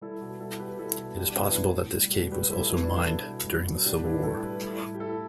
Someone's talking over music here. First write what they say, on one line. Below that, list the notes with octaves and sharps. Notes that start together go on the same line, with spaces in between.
It is possible that this cave was also mined during the Civil War.
G3 E4 A4
B2
G3 E4 A4
B2 G4 B4
G3 E4 A4
B2
G3 D4 G4
D4
B2
B3 E4
A2
A2
G3
B2
G3 G4 B4
A2 E4 A4
G3 B3 E4
D4
B2
E4 A4
G3
B2
G3
B2
A2 D4 G4
A2 B3 E4
G3 E4 A4
A2 G4 B4
G3 E4 A4
A2
G4
A2 E4 A4